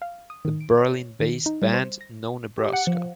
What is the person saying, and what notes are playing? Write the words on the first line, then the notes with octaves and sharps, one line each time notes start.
The Berlin-based band No Nebraska!
F5
D#6
D#3
D7
C#5
D#3
D#4
G3
C5
A#6
G4
F#5
F3